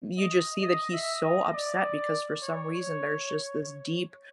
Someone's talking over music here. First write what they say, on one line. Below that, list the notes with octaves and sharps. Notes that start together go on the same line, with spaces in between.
you just see that he's so upset because for some reason, there's just this deep
D#5
D#5
E5
D#5
D5
C#5